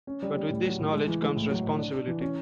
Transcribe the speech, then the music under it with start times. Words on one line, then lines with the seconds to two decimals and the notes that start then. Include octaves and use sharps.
But with this knowledge comes responsibility.
0.07 C#4
0.22 G3
0.36 G3
0.50 A2
0.65 F#3
0.79 A2
0.93 G#3
1.07 E3
1.22 G#3
1.36 A2
1.50 F#3
1.64 A2
1.79 D4
1.94 D4
2.07 E3
2.21 C#4